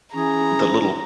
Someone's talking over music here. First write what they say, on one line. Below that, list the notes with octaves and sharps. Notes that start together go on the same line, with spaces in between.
the little
E3 C#4 G#4 A#5